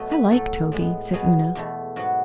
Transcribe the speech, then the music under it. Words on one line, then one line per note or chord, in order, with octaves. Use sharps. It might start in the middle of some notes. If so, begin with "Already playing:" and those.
'I like Toby,' said Una.
Already playing: B2 F#3 A3 D#5
B4
A2 F#3 A3 A4
A2 G#3 B3
B2 F#3 B3 G#4
E2 B2 A3
G#2 F#3 B3 F#4